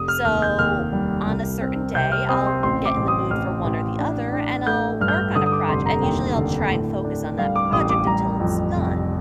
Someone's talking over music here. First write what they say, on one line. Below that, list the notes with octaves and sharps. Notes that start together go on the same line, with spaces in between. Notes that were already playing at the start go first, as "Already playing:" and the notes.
so, on a certain day, I'll get in the mood for one or the other, and I'll work on a proj and usually, I'll try and focus on that project until it's done.
Already playing: F1 D#6
F6
D#2 F6
G6
D#2 F6
G3
C2
C4
C3 G6
F6
C4 D#6
C6
A1 C6
D6
A1
D#6
A1 F6
A1
D4
D4
A3 G6
G2 F6
G6
F6
D3 D#6
D#6
D6
F1 C6
A#5
D#2 G5
D3
A2
D4
G3 F5
D6
A1 D#6
D6
G3 A#5
F2
F1